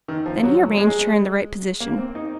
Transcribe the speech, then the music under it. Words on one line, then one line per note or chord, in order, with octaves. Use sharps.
Then he arranged her in the right position.
D#3
F3
F#3
G#3
A#3
C4
D#4